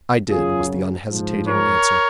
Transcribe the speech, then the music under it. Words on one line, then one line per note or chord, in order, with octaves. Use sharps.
"I did," was the unhesitating answer.
F#2 C#3 F#3 F4 G#4
G#2 F3
A#4 C#5